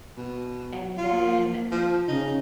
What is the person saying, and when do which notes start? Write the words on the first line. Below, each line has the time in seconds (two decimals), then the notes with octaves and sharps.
And then,
0.17 B2
0.97 F4
1.11 A#3
1.72 F3
2.08 C#3 D#4